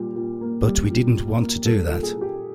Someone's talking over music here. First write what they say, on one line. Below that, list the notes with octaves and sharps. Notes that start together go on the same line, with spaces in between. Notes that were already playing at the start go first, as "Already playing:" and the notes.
But we didn't want to do that.
Already playing: A#2 G3
A#2
A#3
G3
A#2
A#2
A#3
G3 A4
A4
A#2
G#4
A#2
G4